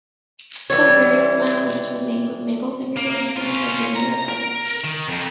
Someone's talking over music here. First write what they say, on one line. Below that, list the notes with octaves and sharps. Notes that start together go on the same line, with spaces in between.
Some very old violins were made with maple fingerboards, carrying a veneer of ebony.
E3 G3 C#5
A#3
C#4 F4
A#5
A#4
D#3
F2